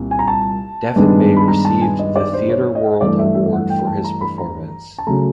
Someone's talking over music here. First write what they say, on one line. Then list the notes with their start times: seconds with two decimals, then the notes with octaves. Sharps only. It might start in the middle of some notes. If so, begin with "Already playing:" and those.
Deven May received the Theatre World Award for his performance.
Already playing: C2 A#2
0.11 G#5
0.19 A#5
0.28 A5
0.96 G2 D#3 G#3 B3 D4
1.36 B5
1.48 A#5
1.65 A5
1.82 G#5
1.99 D#5
2.16 D5
2.33 C5
2.49 C#5
2.75 D#5
3.01 G2 E3 A3 D5
3.19 E5
3.35 E5
3.52 F#5
3.70 G5
3.87 A5
4.04 A#5
4.21 B5
4.38 A#5
4.98 A5
5.07 C#3 F#3 A3 A#5